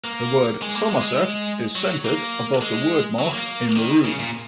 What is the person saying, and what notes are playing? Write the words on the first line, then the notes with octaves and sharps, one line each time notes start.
The word "Somerset" is centered above the wordmark in maroon.
A#3
G#3
A#3
G#3
F#3
A#3
G#3
F#3
A#3
D#3
C#3
A#2